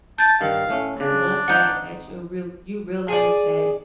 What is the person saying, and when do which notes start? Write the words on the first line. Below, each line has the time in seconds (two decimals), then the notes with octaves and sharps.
I love that that you're real you realize that,
0.18 A5 G6 A6
0.41 G2 D#3 F5
0.69 A2 A3 C#4
1.00 C#3 D4
1.48 G#1 D#4 F#5 G6
3.08 G#4 D5